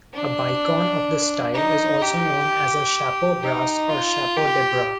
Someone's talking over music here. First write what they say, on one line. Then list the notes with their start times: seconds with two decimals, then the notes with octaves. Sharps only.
A bicorne of this style is also known as a "chapeau-bras" or "chapeau-de-bras".
0.13 D4
1.54 D#4
2.02 G4
3.43 D#4
3.89 F4
4.36 G4